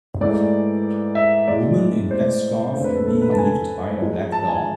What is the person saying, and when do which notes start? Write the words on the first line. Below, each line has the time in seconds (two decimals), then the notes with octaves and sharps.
Woman in black scarf being licked by a black dog.
0.21 G#2 E3 A3 D5
1.15 E5
1.48 A2 E3 G#3 D5
2.11 C5
2.74 F2 D3 A3 C5
2.84 B4
2.95 A4
3.06 A4
3.22 B4
3.32 A5
3.38 G#5
4.01 G#2 F3 G#3
4.32 A5
4.48 G#5